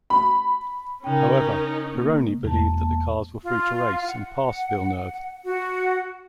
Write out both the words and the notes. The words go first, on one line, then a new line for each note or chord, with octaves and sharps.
However, Pironi believed that the cars were free to race, and passed Villeneuve.
B5
C#3 C#4 D#4 A#4 G5
A#3
E1 A#3 A5
F4
F#5
F#4